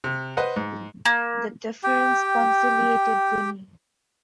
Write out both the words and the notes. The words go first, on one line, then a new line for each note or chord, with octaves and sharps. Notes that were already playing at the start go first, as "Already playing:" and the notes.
The deference conciliated Vinnie.
C3
B4 C5 D#5 F#5
G#2
A#3
G4 G5